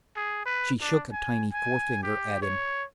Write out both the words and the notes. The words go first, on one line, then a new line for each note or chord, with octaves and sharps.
She shook a tiny forefinger at him.
G#4
B4
D4
G#5
G#5
G4
C#5